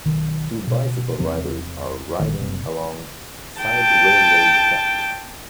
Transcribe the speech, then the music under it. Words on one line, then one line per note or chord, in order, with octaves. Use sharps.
Two bicycle riders are riding along side railroad tracks.
B1 D#3
B2
E2 C3 F3 C4
A#1 D#3
F#1 C3
G5 A5